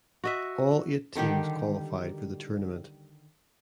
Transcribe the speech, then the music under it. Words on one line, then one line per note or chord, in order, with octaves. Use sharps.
All eight teams qualified for the tournament.
F#4 D#5 E5
D3 D#3 G3 G4